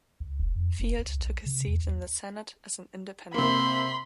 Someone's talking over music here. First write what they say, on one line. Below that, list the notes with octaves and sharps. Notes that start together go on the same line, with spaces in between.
Field took his seat in the Senate as an independent.
C#2
E1
F2
F1
C#2
B1
C3
E2
D#2
C3 A#3 B5 C6